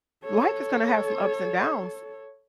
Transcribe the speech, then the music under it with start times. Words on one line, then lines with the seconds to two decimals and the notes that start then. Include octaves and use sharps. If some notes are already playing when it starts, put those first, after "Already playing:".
w life is gonna have some ups and downs."
0.24 A4 C#5